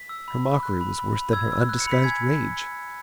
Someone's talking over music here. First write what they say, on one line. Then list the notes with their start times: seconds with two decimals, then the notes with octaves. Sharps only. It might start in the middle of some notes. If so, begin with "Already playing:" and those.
Her mockery was worse than her undisguised rage.
Already playing: B6
0.09 E6
0.28 B5
0.46 B5
0.63 F#6
0.81 B5
0.98 B5
1.16 B5
1.33 E6 G#6
1.52 E6
1.69 F#6
1.80 C#7
1.87 B5 B6
2.04 G#5 G#6